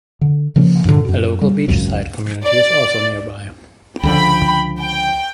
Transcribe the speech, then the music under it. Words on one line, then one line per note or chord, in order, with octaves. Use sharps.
A local beachside community is also nearby.
D3
C#3 F3 A#3 C#4
G2 A#2 D3
F#2 B2
G3
G#1 C#2 F#2 C#3
D5
C#2 D3 F3 G5 B5
G5